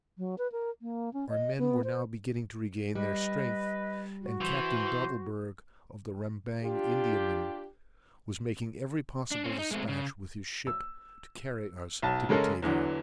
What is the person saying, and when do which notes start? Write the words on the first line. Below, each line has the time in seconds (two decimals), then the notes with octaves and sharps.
Our men were now beginning to regain their strength; and Captain Dadleberg of the Rembang Indiaman was making every possible dispatch with his ship to carry us to Batavia.
0.18 F#3
0.38 B4
0.52 A#4
0.82 A#3
1.13 C#4
1.29 D#5
1.58 B3
1.84 C5
2.95 G3 B4 D#5
4.21 F#4
4.41 E3 C5
6.63 D4 F4 G4
9.31 D4
9.44 C4 C#4
9.59 D#4
9.71 G#3 A3 C4
9.89 C#3
10.67 E6
12.02 B1 A5
12.29 C#3 G#3 C#4 A4 A#4
12.63 E2 D3 E3 F#3